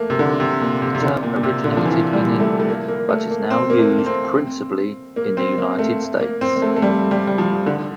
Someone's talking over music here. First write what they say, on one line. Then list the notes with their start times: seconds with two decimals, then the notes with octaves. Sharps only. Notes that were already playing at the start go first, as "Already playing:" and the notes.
The term originated in England, but is now used principally in the United States.
Already playing: A3 A#3
0.10 C3
0.19 D3
0.40 C3
0.61 A#2
0.82 C3
0.95 C3
1.02 D3
1.23 A#2
1.36 A#2
1.43 C3
1.64 D3
1.77 F3
1.85 E3
2.13 G3
2.40 A3
2.60 A3
2.69 A#3
2.88 A#3
3.09 A3
3.30 A#3
3.50 C4
3.70 A#3
3.79 A3
3.98 A#3
4.06 C4
5.16 A#3
5.37 C4
5.58 A#3
5.79 A3
6.20 A#3
6.41 C4
6.56 A#3
6.62 A3
6.76 A3
6.82 G3
7.11 G3
7.27 G3
7.38 F3
7.66 D3